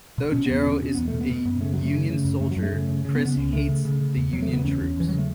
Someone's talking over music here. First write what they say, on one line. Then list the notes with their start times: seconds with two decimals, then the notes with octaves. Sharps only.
Though Jethro is a Union soldier, Chris hates the Union troops.
0.18 B2
0.32 B2 C#4
0.46 E2 B3
0.60 C#4
0.66 B2
0.81 B2 C#4
0.95 E2 B3
1.08 A3
1.13 B2
1.21 B3
1.30 B2
1.45 F#2 B3
1.61 C#3 A3
1.74 F#2 F#3
1.86 A3
1.93 C#3
2.10 C#3
2.25 F#2
2.40 F#2 A3
2.51 F#3
2.57 F#2
2.63 A3
2.73 C#3
2.89 C#3
3.05 C#3
3.15 B3
3.20 C#3
3.25 B3
3.37 C#2 C#4
3.52 C#3 A3
3.69 C#3
3.85 C#3
4.01 C#3
4.17 E2
4.33 E2 F#3
4.42 A3
4.49 C#3 B3
4.59 B3
4.64 E2 C#4
4.81 E2
4.97 E2 E3
5.09 C#3 F#3
5.18 A3